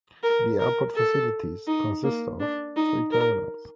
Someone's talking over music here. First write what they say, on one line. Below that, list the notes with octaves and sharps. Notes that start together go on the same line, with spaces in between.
The airport facilities consist of three terminals.
A#4
A#4
A4
D#4
A#3
D4
D#4
A#4